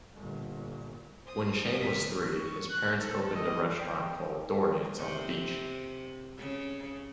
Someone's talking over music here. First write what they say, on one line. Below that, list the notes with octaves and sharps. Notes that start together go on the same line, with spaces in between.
When Shane was three, his parents opened a restaurant called "Dorian's" on the beach.
G1 A#2
C5 D#6
D#2 E5
C#6
F#6
A4
D#5
G5
C3
C#3